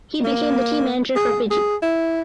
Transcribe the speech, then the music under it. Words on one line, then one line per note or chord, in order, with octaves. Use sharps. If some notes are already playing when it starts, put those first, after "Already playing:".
He became the team manager for Fiji.
A#3
G#4
G#4
E4